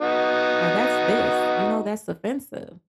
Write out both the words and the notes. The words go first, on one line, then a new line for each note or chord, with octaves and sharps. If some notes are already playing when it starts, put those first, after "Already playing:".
or "That's this," you know, "That's offensive,"
B3 D#4 F#4